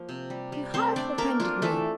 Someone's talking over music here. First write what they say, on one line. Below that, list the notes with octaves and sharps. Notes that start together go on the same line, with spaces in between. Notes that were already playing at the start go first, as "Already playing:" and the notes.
"You have offended me."
Already playing: F3 A#3
C3
G3
G3
A3 C4 C5
A3 D4 D5
A3 A#3 A#4
D4 F4
E3 A3 A4